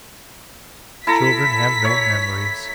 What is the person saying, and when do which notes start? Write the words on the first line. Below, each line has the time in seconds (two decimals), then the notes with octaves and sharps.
Children have no memories.
1.07 E4 A4 A#5 B6
1.85 C#5